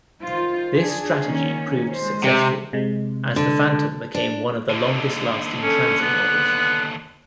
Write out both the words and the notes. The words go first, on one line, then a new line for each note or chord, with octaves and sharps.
This strategy proved successful, as the Phantom became one of the longest-lasting transit models.
D#3 F4 C5
D4 G#4
D#3 A#3 C#4
G#3 C5
C3
C3 G#3
D3
D4
D#2 D3
C#4 A4
B3 F#6